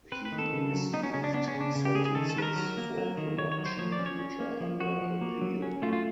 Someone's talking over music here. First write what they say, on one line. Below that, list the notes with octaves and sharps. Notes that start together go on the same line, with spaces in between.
He received sentences for corruption, which are under appeal.
C4 B4
B4
D#3
A4
C#3
F#3
B3 D#4
C#4
C#3 C#4
D4
B3 D4
C#4
C#3
D4
C#3
G4
C#3 G#4
G#4
D#3 A4
A4
D#3 B4
A#4
F#3
A#3
F#3
D#3
D#3 C#5
C#5
F#3
C5
F3 C#5
D5
C#4
C#5
C#4
A#3
F3
F3 F#4
F3
A#3
F#3
C#4
A3 F4
F4